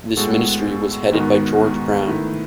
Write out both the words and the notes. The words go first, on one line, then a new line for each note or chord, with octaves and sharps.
This Ministry was headed by George Brown.
A2 G#3 B3 F#4 A4
G#2 D#3 G#3 B3 F#4
D#3 A3 E4 B4